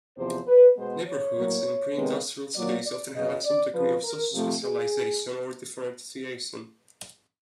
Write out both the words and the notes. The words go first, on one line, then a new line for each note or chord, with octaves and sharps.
Neighbourhoods in preindustrial cities often had some degree of social specialisation or differentiation.
E2 C3 F3 C5
B4
B2 G#3 B3 C5
C#5
A2 F#3 A#3
C3 D#3 G#3 B3
A#2 F#3 A#3 D5
D5
F#2 C#3 F#3 B3 D#5
D5
F2 C#3 F3 B4
A#4
C3 F3 A3
G#4